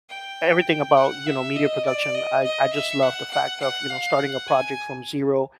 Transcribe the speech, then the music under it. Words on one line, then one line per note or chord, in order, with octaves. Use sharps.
everything about, you know, media production I I just love the fact of, you know, starting a project from zero,
G5
F#5
E5
D#5
D5
D#5
D#5
E5
F#5
F#5
F#5
F5
F#5
G#5